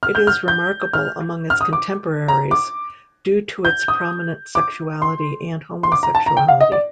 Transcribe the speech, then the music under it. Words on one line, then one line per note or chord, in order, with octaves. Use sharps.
It is remarkable among its contemporaries due to its prominent sexuality and homosexuality.
F6
G6
F6
G6
F6
F6
D#6
D6
A#5
D6
G6
D#6
D6
C6
C6
D6
A#5
A5
A#5
G5
F5
D#5
D5